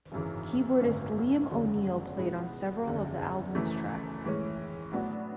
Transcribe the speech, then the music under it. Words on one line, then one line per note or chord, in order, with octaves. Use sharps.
Keyboardist Liam O'Neil played on several of the album's tracks.
G#1 F#2 C#3 E3
G#1 F#2 D3 A3
F#1 E2 D3 F#3 B3
B2 G#3 B3 E4
F#1 E2 D3
F#1 F#2 E3 A3
A2 E3 G#3 C#4
A2 F#3 B3 D4 F#4